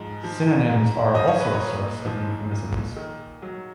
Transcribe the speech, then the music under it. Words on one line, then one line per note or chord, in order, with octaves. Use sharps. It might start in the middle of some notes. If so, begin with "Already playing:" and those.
Synonyms are also a source of euphemisms.
Already playing: G#2 F3
F3
G#2
F3 D#5
C#5
B4
C#5
A#2
F3
A#2
D#3
F#3